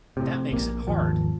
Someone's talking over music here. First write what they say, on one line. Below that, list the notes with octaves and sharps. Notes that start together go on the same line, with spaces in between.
That makes it hard!
A2 C3
A#1 A#3
G#1 D#2 F3